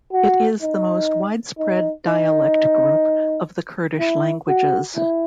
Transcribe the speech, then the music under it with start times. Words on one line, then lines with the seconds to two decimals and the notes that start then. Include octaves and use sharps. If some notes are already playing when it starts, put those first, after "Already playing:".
It is the most widespread dialect group of the Kurdish languages.
0.13 F#4
0.62 D#4
1.58 D#4
2.07 D#4
3.99 E4
4.48 F#4
4.96 E4